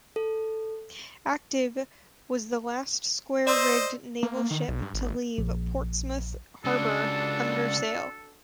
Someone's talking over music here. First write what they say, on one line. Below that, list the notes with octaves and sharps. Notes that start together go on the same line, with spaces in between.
"Active" was the last square-rigged naval ship to leave Portsmouth Harbour under sail.
A4
C5 D5 D#5 C6 E6
A#3
D#3
B1
G2
G#1
A#1
C#3 G#3 D4 F#4 A4 D5